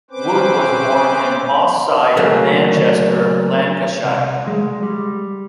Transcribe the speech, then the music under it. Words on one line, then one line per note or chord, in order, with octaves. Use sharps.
Wood was born in Moss Side, Manchester, Lancashire.
C4 C#4 B4 C5 D6
C#3 F#3 A3 A#3
C2
G#3
G3